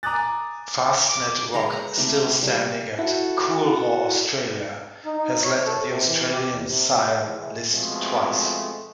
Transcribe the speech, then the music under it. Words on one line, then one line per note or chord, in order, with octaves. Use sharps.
Fastnet Rock, still standing at Coolmore Australia, has led the Australian sire list twice.
G#5 A#5 D6 D#6 F#6 A6
D6
G#3 A#4 C#5 D#5
B4 A#5
C3 A3 C4 G4
G3 A3
E4 F#4 A4 F#5
D#4
D#4
C#5
A4
C3
E3
G4
E2
C3
E3 G#3 A3
B2 F3 G#3 A3 C4